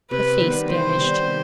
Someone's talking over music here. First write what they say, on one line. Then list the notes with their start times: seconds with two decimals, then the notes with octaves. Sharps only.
The face vanished.
0.10 C3 B4
0.40 D#3 G3 B3
0.69 C3 C5
0.98 D#3 G3 B3
1.27 C3